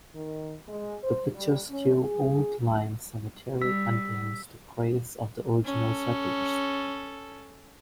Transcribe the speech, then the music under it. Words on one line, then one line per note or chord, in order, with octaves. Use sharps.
The picturesque Old Lyme Cemetery contains the graves of the original settlers.
D#3
G#3
C5
G3
C#4
G#4
G3 E6 B6
C#4 A4